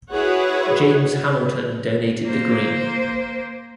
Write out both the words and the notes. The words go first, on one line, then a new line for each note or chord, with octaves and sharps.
James Hamilton donated the Green.
E4 F#4 G#4 B4 C#5 F#5
A#3 C5